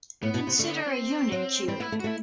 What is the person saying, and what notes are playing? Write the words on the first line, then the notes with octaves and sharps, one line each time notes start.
Consider a unit cube.
A2 B3
B2
C3
D3 A3
B3
D4
C4
F#3
G3 C4
B3 E4
A3
F#4
A3 E4